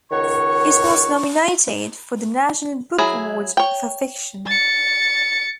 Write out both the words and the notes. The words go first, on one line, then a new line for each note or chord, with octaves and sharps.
It was nominated for the National Book Award for fiction.
C#2 D#3 C#5 F#5 C#6
F#3 E4 G#4
C#5 G5
A6 C#7